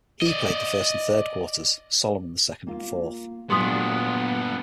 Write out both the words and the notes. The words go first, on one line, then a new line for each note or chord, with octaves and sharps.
He played the first and third quarters, Solomon the second and fourth.
D5 D#5
A#3 F4
A#2 F#3 A3 B3 D4 G4 C6 D#6